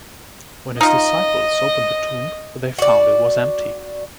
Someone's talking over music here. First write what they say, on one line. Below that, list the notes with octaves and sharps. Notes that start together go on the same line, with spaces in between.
When his disciples opened the tomb, they found it was empty.
D#4 F4 D#5
F#4 D5